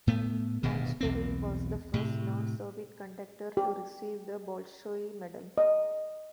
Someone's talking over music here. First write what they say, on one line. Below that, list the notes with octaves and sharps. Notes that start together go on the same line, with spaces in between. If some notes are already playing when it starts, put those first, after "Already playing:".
Lanchbery was the first non-Soviet conductor to receive the Bolshoi Medal.
A2 A3 B3
D1 G2 B2 D#3
B1 E2 C4
A2 C3
G4
D#5